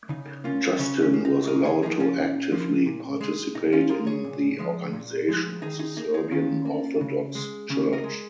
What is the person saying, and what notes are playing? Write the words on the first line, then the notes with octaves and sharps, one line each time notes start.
Justin was allowed to actively participate in the organization of the Serbian Orthodox Church.
C#3 D#4
A#3 C#4 F4
C#3 C#4
C#4
A#3
D#4
A#2 A#4 D#5
G#4 C#5
F3 A#3 D#4 G#4
C#4 F4
A#2
F3 A#3
A#2
G#3
A#2 D#4
C#4 F4
G#3 F4 A#4
G#4 C#5
A#2
F3 G#3
A#2
F3 G#3
D#3 D#4 G#4
D#4 G#4
A#3 D#4 G#4
D#4 G#4
D#3 C#4 F4
A#3
C#3
G#3
C#3 C#4
A#4 D#5
G#3